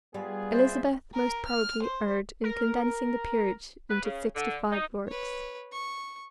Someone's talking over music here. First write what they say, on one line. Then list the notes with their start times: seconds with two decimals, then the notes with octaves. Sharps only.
Elizabeth most probably erred in condensing the peerage into sixty-five lords.
0.14 G3 B3 F4 G#4
0.48 C5 D5 E5
1.14 A#4
1.45 F6
1.82 C5
2.44 A#4
3.90 B4
4.03 C#3
4.35 D3
4.71 D#4
5.08 B4 C#5
5.72 C#6